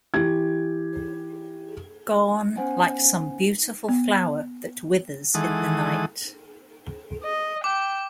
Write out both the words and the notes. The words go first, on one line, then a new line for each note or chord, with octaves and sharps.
Gone like some beautiful flower that withers in the night.
E3 G4 G#6
B3 C#4 C5 F#5 G#5
B3
D#3 E3 G#3 A4 F#5 D#6
D#5
G5 D6